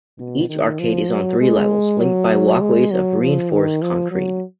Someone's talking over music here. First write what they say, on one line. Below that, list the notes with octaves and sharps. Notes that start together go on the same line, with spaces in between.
Each arcade is on three levels, linked by walkways of reinforced concrete.
B2
D#3
F3
F#3
G#3
F#3
G#3
F#3
F3
D#3
F3
F#3